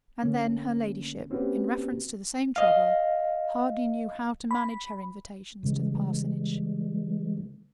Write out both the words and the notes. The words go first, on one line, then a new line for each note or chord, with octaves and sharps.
And then her ladyship, in reference to the same trouble, hardly knew how to manage her invitations to the parsonage.
D3 A3 A#3 C#4
A#3 C4 C#4 F#4 G4 B4
D#5 F5
B5
C#3 E3 G3 G#3 C#4